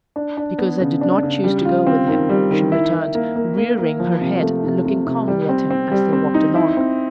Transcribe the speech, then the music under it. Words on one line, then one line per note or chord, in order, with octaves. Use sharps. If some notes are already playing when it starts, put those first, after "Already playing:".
"Because I did not choose to go with him," she returned, rearing her head and looking calmly at him as they walked along.
D4
D4
B3
C#3
D4
C#3
G3
F4
C4
D#3
G3
D#3
E4
E4
A#3
A#3
A#3
A#3
F3
C3
A3
C3
C3
C3
G3
C4
C4
G3
C4
D#4
E4
C4